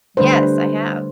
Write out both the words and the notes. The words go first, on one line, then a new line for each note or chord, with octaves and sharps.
Yes, I have.
D3 G3 A3 D4 B4 C5